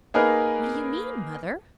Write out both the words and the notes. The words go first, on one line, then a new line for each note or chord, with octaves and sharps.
"What do you mean, Mother!"
A#3 D#4 G#4 A#4 B4